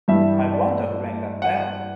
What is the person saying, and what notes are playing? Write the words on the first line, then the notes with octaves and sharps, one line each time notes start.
I wonder who rang that bell!
G2 E3 G3 E5
D5
F#5